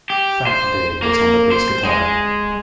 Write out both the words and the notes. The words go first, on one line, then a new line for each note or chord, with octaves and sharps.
'Fat' Dave was on the bass guitar.
G4
C5
A#3
C5
G#3